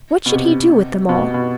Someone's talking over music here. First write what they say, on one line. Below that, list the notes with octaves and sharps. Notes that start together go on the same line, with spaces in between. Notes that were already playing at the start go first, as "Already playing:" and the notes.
What should he do with them all?
B2
C3
B2
B2